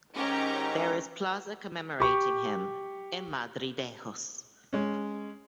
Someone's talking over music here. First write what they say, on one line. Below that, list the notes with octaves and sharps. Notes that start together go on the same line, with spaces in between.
There is plaza commemorating him in Madridejos.
G#2 D#3 C#4 G4 A#5
G4 C#6
G#3 C#4